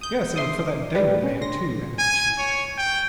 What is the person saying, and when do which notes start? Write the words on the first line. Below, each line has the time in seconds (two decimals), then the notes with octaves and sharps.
"Yes, and for that Damon man, too," added the chief.
0.01 D#6 G6
0.36 E5 C6 D6 D#6
0.95 G4 B4 D5
1.23 C#4
1.41 D3 C6 A#6
1.99 G#5
2.38 C#5
2.78 G5